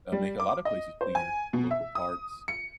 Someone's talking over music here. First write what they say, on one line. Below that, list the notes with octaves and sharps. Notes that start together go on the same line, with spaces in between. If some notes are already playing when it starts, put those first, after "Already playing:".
uh, make a lot of places cleaner, local parks,
G3
D6
D#5
C5
G#5
B2
E5
D#6
C#7